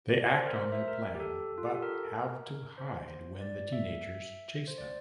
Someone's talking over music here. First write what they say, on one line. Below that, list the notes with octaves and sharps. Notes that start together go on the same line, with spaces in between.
They act on their plan but have to hide when the teenagers chase them.
D5
C5
C5
A#4
C5
E5
A#4
G4
A4
F4
G4
A4
A#4
C5
D5
E5
C5
D5